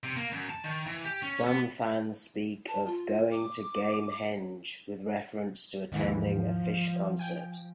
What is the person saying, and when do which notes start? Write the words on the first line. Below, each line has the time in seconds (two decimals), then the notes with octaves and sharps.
Some fans speak of "going to Gamehendge" with reference to attending a Phish concert.
0.03 C3
0.16 A#3
0.32 F#2
0.50 A5
0.64 D#3
0.86 E3
1.04 G4
1.22 C#4
1.47 B3
2.68 A5
2.86 F4
3.31 D6
5.92 D#2 G#2 E3 F3
7.19 G5 G#5